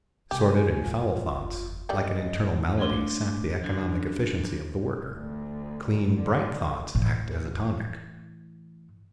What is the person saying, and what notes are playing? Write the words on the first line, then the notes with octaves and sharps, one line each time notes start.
Sordid and foul thoughts, like an internal malady, sap the economic efficiency of the worker; clean, bright thoughts act as a tonic.
C3 G#3 G4 G#5
E1 G2 F4
F#1 E2
A2 F#3 G3 D5 D#5 G5
A3 A#3 D4 C6
F#2 D3
D2
D3
A2 E3